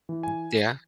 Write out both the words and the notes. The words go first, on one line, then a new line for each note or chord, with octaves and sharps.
M Yeah.
E3
G#5